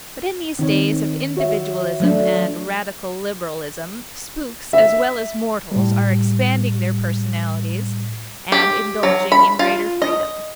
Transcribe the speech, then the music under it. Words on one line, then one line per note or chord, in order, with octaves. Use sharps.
But in these days of individualism and radical liberalism, spooks as well as mortals are expanding their personalities and indulging in greater freedom.
D#3 C4 D#4 C#5
F#4 C#5 E5
F#3 A3 D4
E5
A2 G3
G4
F#3
B5
F4
D#5